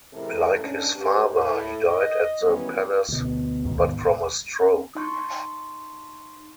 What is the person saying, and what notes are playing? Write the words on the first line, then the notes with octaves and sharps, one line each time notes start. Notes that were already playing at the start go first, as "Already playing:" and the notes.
Like his father, he died at the palace-but from a stroke.
A2 C3 E3 G#3 A4 A#4
G#2 C#3 C#4 D4
G#2 G4 B4
A2
D#5
D#3 E3 F#3 G3 B3 C#4
D2 B2
A1 D#2 G#2 B2
D#4 C6 C#6